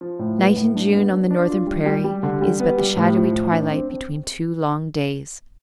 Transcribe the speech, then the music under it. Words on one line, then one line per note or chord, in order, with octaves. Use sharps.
Night in June on the northern prairie is but the shadowy twilight between two long days.
F3
A2
B3
A2
D4
B3
D4
D4
F4
G3
G3
G3
D3
G3
B3
G3
A2
F3
A2
D4
C4
C4